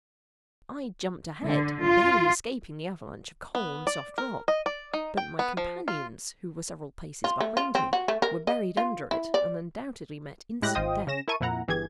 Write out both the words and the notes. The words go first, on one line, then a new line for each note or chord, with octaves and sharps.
I jumped ahead, barely escaping the avalanche of coal and soft rock, but my companions, who were several paces behind me, were buried under it, and undoubtedly met instant death.
D3
F4
B3
D5
A#4
D#5
D5
D#4
G5
B3
F3
F4
F4
A3
F4
C4
F#4
A3
A#4
D#5
F4
E4
D5
A2 G#3 E4 G4 F#6 A#6
G#1 F4 C5 D#5 G5 D#6
C#3 C#4 A#6 E7
E4 A#4 A5 C#6 D#7
F2 A#2 E4 F#5 A#5
G1 E3 G4 G#4 G#6